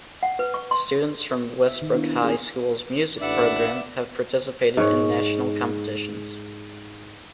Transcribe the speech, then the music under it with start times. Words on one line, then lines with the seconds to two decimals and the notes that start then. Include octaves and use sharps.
Students from Westbrook High School's music program have participated in national competitions.
0.23 F#5
0.39 B4
0.54 C#6
0.71 C6
1.66 E5
1.82 D#3
1.94 B3 D4 E4
2.24 C4 G#4
3.20 A1 D4 B4 D5 E5 F#5
4.77 G#2 C#5